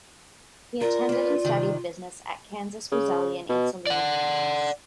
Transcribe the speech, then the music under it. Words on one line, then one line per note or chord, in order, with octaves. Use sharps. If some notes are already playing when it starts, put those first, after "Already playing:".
He attended and studied business at Kansas Wesleyan in Salina, Kansas.
F4 A#4 D5
A#3 B4
C3 D#3
C#3
B2
D5 F#5